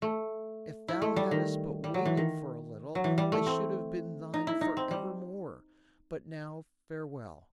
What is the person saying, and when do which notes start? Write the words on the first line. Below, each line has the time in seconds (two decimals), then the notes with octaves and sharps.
If thou hadst but waited for a little, I should have been thine for ever more, but now farewell!
0.02 A3
0.88 E4
1.02 A3
1.16 G3
1.31 D#3
1.84 G3
1.94 F#3
2.05 E3
2.17 D#3
2.95 F#3
3.04 E3
3.18 G3
3.32 A3
3.46 C4
4.34 D#4
4.47 E4
4.61 D#4
4.77 C4
4.91 G3